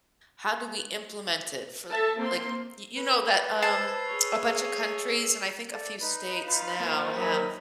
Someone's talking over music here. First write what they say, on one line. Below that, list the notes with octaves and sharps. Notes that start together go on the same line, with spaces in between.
how do we implement it for l like, y you know that, um, a bunch of countries and I think a few states now have
A4 E5 A5
A#3 C4 C6
A4 B4
C5 A5 E6 G#6 C7
G#4 C#5
A4 D5
D#4 B4
F4 F5
A#3 A#4 C5
D#2 F#3 D#5 B5